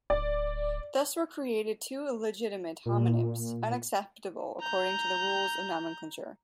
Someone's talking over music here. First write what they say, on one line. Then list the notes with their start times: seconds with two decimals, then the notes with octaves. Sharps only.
Thus were created two illegitimate homonyms, unacceptable according to the rules of nomenclature.
0.10 D1 D5
2.86 A#2
4.61 A#5 G6